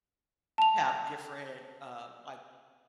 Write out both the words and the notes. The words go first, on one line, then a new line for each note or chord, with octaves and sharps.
have different, uh, like,
A5 F7